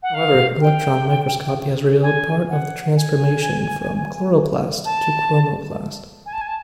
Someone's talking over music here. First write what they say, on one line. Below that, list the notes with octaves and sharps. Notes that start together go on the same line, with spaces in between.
However, electron microscopy has revealed part of the transformation from chloroplast to chromoplast.
F#5
F5
G5
G#5
F#5
G#5
A5
G#5
A5
G#5
A5